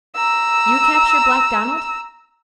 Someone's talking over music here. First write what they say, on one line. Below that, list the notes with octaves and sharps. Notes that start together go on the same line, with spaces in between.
You capture Black Donald!
A#5 E6